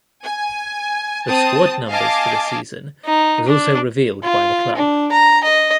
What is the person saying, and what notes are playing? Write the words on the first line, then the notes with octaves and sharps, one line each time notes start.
The squad numbers for the season was also revealed by the club.
G#5
C4 A5 D#6
D#5 F5 G#5 A5 D6
D#4
D4
F4
D4
A#5
D#5